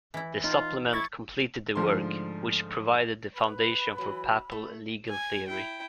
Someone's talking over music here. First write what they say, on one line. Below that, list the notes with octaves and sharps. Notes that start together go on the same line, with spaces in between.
The supplement completed the work, which provided the foundation for papal legal theory.
E3 E4
D#4 F4
E4 C#6 G#6 A6
G#2 D3 F3 A3 C6
B4 B5
E3 F#3
A3
G#5
E4 G5